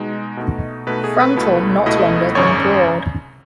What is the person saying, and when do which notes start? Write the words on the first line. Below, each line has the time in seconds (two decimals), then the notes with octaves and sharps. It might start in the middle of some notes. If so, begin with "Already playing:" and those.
Frontal not longer than broad.
Already playing: B2 G#3 D#4
0.37 B2 A3 D#4
0.87 B2 A3 D#4 B4
1.04 G#4
1.20 B4
1.36 C#2 B2 A3 E4 B4
1.86 C#2 B2 A3 E4 D#5
2.35 G#1 F#2 C#3 C#5